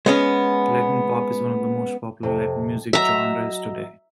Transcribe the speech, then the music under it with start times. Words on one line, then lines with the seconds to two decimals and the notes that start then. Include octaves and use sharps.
Latin pop is one of the most popular Latin music genres today.
0.06 G#3 B3 C#4
2.23 F2 C3
2.93 F#3 D#5 E5 A#5